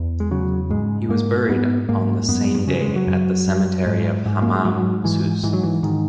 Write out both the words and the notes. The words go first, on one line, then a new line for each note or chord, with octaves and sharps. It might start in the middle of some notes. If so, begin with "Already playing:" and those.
He was buried on the same day at the cemetery of Hammam Sousse.
Already playing: E2
G#3
C#3 F#3
G#2 G#3
G#2 A#3
G#2 B3
G#2 A#3
F#2 B3
C#3 F#3
G#3
F#3
F#2
F#2
G#2
G#2
A#3
G#3
G#2 F#3
G#2 E3
G#2 E3
F#3
E3
G#2 D#3